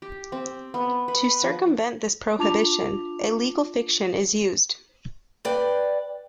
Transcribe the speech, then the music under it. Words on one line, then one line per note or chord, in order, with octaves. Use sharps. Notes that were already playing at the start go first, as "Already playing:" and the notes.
To circumvent this prohibition, a legal fiction is used.
G4
C4
B3
B4
F3
D4 F4 A5 D6 F7
B4 D5 G5